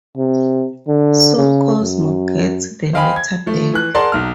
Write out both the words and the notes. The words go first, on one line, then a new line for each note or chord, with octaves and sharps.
So Cosmo gets the letter back.
C3
D3
C#3
F#2
C5 D#5 F5 G5 G#5 B5
G#6
F3 A3
E3 F#6
G#4 A#4 D5 F#5 A5 C6
B1 F6